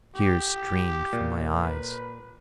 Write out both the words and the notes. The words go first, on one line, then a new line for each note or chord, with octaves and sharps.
Tears streamed from my eyes.
G4
A#2
B4